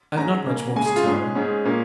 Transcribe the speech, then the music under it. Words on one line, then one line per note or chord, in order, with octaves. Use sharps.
I have not much more to tell.
G#2 G#3 C#4 A#5
C#3 A#3 C#4
C#3 G#3 C#4 G#5
G#4
F4
G#2 G#3 C#4 G#4
G#2 G#3 C#4
A#2 A#3 C#4